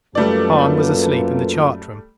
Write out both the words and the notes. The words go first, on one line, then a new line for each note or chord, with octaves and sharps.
Hahn was asleep in the chart room.
F#2 G3 A3 A#3 F4 A4 B4 D5